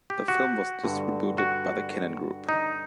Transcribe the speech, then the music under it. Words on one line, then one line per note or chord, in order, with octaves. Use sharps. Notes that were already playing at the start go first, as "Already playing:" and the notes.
The film was distributed by the Cannon Group.
G4
F#4
G2 D3
F#4
D#4